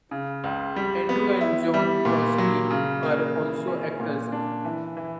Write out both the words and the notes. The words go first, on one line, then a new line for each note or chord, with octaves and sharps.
Andrew and John Prosky are also actors.
C#3
C#2
G3
B3
E4
G3
A#2
F#3
C#3
A#3
E3
C#4
A#2
D4
E3
E3